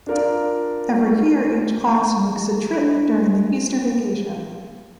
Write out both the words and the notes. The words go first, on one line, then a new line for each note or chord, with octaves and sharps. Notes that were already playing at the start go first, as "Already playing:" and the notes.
Every year each class makes a trip during the Easter vacation.
D4 F4 A#4 D5 F5
D4 A4